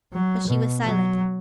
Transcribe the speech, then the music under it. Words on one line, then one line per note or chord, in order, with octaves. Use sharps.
But she was silent.
F#3
B2
F#3